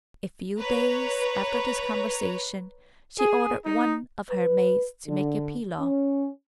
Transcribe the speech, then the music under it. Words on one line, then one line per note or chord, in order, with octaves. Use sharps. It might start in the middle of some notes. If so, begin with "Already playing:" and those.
A few days after this conversation she ordered one of her maids to make a pilaw.
B4 C#5 A#5
G#4
D#4
B4
D3
C#4